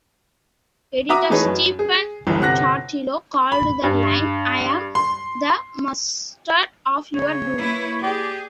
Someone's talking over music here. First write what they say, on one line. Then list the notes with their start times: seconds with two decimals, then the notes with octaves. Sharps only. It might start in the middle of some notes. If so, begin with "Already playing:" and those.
Editor Stephen Totilo called the line I am the mustard of your doom!
1.09 F#4 E5 A#5 D6 D#6
1.30 E3 A3 D#4 G#4 B4 C#5
1.45 F#2
1.79 G#4
2.27 G1 C#2 G2 E3
2.40 G1 C3 F#5 F#6 A#6
3.52 B5
3.84 G2
4.95 C6
7.15 C#3 C#5
7.59 A#3 E4 B4
8.03 G4 G#4 D5